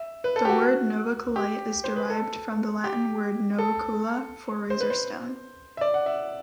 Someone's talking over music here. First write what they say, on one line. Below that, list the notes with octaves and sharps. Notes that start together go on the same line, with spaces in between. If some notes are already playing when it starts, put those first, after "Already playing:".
The word novaculite is derived from the Latin word "novacula", for razor stone.
Already playing: E5
B4
A4
G4
F#4
G4
C5
B4
A4
G4
A4
C5
B4
C5
E5
D5
F#5
E5